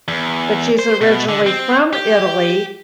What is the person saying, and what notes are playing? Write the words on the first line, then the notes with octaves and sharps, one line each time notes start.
but she's originally from Italy,
E2
C5
B2
D3
C4
G4